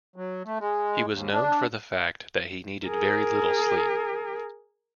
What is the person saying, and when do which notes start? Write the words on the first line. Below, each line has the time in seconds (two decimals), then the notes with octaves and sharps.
He was known for the fact that he needed very little sleep.
0.16 F#3
0.45 A3
0.60 G#3
1.10 D#2
1.33 D4
2.86 G#4 A#4